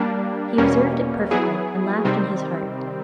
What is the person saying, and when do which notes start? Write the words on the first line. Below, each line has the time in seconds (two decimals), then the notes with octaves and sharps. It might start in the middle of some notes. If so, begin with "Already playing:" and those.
He observed it perfectly, and laughed in his heart.
Already playing: G3 A#3 D4
0.58 E2 B2 G3 A#3 C#4
1.31 F#3 B3 E4 G#4
2.05 C3 D#3 G3 C4